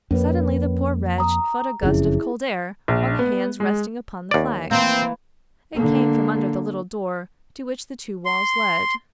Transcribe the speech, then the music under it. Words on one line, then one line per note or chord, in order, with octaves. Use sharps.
Suddenly the poor wretch felt a gust of cold air on the hands resting upon the flags; it came from under the little door to which the two walls led.
F2 A#3 C#4 B4
A#5 D#6
F#1 F2 C#3 E4 G#4
A#1
B3
G#3
D#2 D5
E3 A#3 C4
D3 A#3
C6